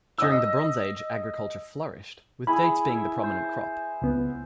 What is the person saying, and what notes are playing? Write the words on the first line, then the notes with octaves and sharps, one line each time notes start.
During the Bronze Age, agriculture flourished, with dates being the prominent crop.
D#5 E6
E4 G#4 E5 B5
E5
C5
C#2 B3